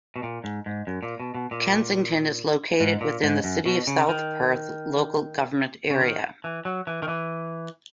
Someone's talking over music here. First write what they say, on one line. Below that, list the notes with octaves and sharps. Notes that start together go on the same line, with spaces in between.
Kensington is located within the City of South Perth local government area.
B2
A#2
G#2
G#2
F#2
A#2
B2
B2
A#2
G#2
A#2
G#2
F#2
B2
C#3
D#3
C#3
D#3
E3
F#3
E3
D#3
E3